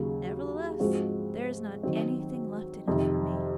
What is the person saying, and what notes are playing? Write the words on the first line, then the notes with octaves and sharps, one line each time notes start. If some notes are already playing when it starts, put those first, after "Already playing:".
'Nevertheless there is not anything left in it for me.'
Already playing: D#2 C#3 F#3
G#2 F3 G#3 C4 F#4
D#3 F#3 C4
F2 C3 D#3